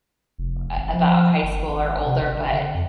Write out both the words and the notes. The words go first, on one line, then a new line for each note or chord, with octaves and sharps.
uh, about high school or older, but
F1
G#1
F3
G1
G#1
C3
G#1
D3
F2